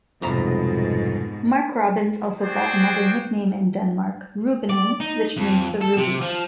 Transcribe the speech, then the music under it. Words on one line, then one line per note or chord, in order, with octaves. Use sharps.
Mark Robins also got another nickname in Denmark "Rubinen" which means the ruby.
C2 F2 G#2 B2 A#5
F#4 G#4 C5 D5 G5
D5
D#4
F2
A4
C3
F3